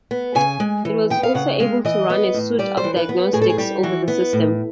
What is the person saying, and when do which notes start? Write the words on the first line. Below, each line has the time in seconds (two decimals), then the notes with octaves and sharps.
It was also able to run a suite of diagnostics over the system.
0.11 B3
0.35 C#3 G#5
0.60 G#3
0.85 E3
1.10 B3 G5
1.23 F5
1.35 C#3 F#5
1.60 G#3 F5
1.85 E3 D#5
2.10 B3
2.34 A2
2.59 G3 D5
2.77 C5
2.84 E3
2.97 B4
3.09 B3
3.33 A2 G#4
3.41 A4
3.49 G#4
3.58 G3 G4
3.83 E3 F#4
4.08 B3
4.33 A2